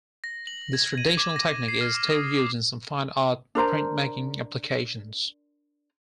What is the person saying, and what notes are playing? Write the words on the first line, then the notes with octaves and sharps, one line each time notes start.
This traditional technique is still used in some fine art printmaking applications.
A#6
F#7
G#6
D#7
D6
A#6
C7
F6
D6
D#6
D6
D4 A#4 C5 A#5